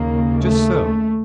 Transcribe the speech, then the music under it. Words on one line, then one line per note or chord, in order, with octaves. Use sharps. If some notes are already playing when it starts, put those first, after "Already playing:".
Just so.
Already playing: D#2 C#3 A#3
A3